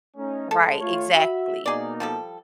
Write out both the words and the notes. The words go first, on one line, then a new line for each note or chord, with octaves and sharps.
right, exactly.
A3 C#4 D#4
A2 G#3 A4
A3 F4 C#5
F#4 E5 B5
B2 A#3 D#4 G#4 D5
F3 G3 A4